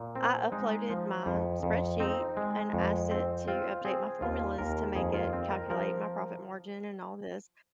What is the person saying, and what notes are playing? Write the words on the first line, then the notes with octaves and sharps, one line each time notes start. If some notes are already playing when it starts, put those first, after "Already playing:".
I uploaded my spreadsheet and asked it to update my formulas to make it calculate my profit margin and all this,
Already playing: A#2
C4
G#3 D#4
F3
F2
F2
C4 D#4
G#3
F2
C4
C4 F4
C4 G#4
D#2 F4
D#2 A#4
F2 G#4
F4
C4
A#4
F3 A#4